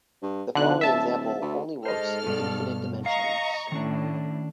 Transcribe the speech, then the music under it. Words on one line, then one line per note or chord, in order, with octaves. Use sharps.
The following example only works in infinite dimensions.
G2
B1 D3 F#6
D1 E5 A5
D2
G#2 A4 C5 D#5 F6
G2 B2 D5
D#5 F5 A#5 C#6
A2 D#3 C#4 D4